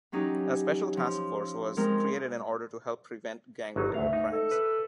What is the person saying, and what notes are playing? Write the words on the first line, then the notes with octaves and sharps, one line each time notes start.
A special task force was created in order to help prevent gang-related crimes.
E3 F#3 C#4 D#4 G4
F3
F3 G#3 C4 A#4
G1 F#3 D#4
D2 A3 F5
D#4
A4
B4